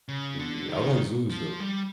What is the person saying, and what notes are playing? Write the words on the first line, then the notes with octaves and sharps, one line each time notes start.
Yeah. I like zoos, though.
C#3
D3
D#3
F3
G3